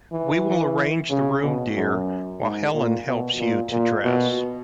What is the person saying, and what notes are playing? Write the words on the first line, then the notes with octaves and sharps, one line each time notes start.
We will arrange the room, dear, while Helene helps you to dress.
E3
C#3
B2
F#2
G#2
A#2
B2
A#2
A#2
B2